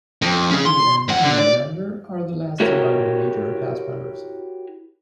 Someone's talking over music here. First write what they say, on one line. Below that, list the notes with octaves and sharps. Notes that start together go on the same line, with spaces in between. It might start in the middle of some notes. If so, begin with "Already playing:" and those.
He and Ian Lavender are the last surviving major cast members.
F2
C#4 G#4
C6
F2 F#5
D3
D5
E4 F#4 G4 A#4 C#5